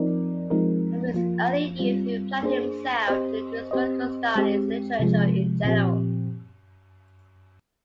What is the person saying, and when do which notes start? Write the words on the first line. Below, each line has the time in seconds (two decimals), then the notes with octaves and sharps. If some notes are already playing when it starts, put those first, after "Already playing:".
From his early youth he applied himself to historical studies and literature in general.
Already playing: F3 C4 D#4 A#4 D5
0.50 F3 G#3 C4 D#4 A#4
1.14 F3 A#3 F4
1.79 G3 C4 F4
2.43 A#3 D4 G#4 C5
3.07 C4 G4 C5 D#5
3.71 C4 G4 C5 D#5
4.36 G#3 C4 G4
5.00 C3 F3 G#3
5.64 A#2 F3 C4 G4